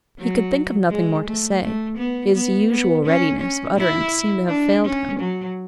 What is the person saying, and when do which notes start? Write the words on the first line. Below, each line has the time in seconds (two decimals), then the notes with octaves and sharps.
He could think of nothing more to say; his usual readiness of utterance seemed to have failed him.
0.19 F#3
0.90 G#3
1.27 A3
1.62 A3
1.98 B3
2.34 B3
2.71 B3
3.06 C#4
3.41 C#4
3.78 E4
4.48 D4
4.85 C#4
5.20 F#3